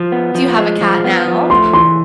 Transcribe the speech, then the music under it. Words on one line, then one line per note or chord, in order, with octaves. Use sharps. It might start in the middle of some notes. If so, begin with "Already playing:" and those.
do you have a cat now?
Already playing: F3
B3
F3
G#3
F3
B3
F3
A3 C6
E3 C6